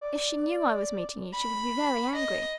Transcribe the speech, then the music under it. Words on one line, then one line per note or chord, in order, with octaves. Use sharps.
If she knew I was meeting you she would be very angry.
D5
B5
D#5